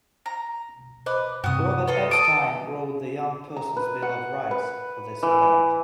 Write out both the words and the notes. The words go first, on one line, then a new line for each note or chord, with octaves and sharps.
Robert Epstein wrote The Young Person's Bill of Rights for this event.
A#5
B4 C5 D#5 D6
G2 C3 F#4 D#6
F4 A4 B4 D#5
A4 D#6 D7
A#5
B4
F#5
B4
E3